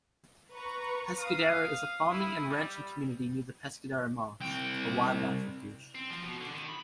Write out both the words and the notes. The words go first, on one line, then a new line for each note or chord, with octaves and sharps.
Pescadero is a farming and ranching community near the Pescadero Marsh, a wildlife refuge.
B4 A#5 C#6
F5 D#6
D#6
E4
G3
C2 G5
C4
F3
B2
D3
D#3
B5